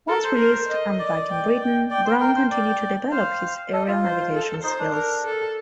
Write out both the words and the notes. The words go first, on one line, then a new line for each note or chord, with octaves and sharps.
Once released and back in Britain, Brown continued to develop his aerial navigation skills.
A4 A#4
C5
A#4
D#5
D5
G5
G5
D5 G5
C5
A#4 G5
C5
D5 G5
C5 F5
A4 D#5
F4
C5
A4
D#4 C5
D4
A#4
A4